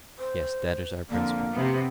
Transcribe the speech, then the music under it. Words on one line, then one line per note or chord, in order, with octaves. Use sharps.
Yes; that is our principle.
C5
F2 D3 A#3
C3 B3